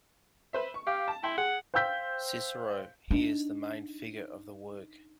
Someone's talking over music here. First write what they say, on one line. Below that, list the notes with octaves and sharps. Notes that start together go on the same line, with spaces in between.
Cicero - He is the main figure of the work.
B4 C5 E5
C#6
G4 F5
A5
E4 G5 C6
G#4 F#5
C5 F5 G5 E6 G6 B6
D4 D#4